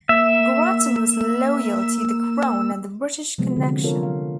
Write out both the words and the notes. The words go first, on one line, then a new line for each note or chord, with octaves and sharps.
Grattan was loyal to the Crown and the British connection.
A#3 E5 E6
C3 F3 F#3 G#3 B3 C4
D3
F4 A4 A#4 C#5
F5